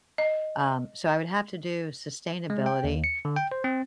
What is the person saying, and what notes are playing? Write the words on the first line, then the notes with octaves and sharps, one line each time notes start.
Um, so I would have to do sustainability
D#5
G#3
G5
D#2
C#7
D3
G5
C5
C4